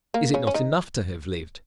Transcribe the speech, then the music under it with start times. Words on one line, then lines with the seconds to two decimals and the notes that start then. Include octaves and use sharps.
Is it not enough to have lived?
0.14 A#3
0.34 C#3 C#4
0.47 C#4
0.54 D#3 D#4